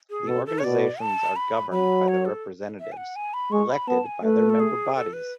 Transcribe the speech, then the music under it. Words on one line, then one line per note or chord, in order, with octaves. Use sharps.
The organisations are governed by representatives elected by their member bodies.
G#4
B2 A4
A4
C#5
B2 D5
A5
B5
F#3 B5
C#5
A4
E5
G#5
F#5
G#5
B5
G#3 C#6
B5
B3 A5
G#5
A3 B4
A4
G#4
A4
B4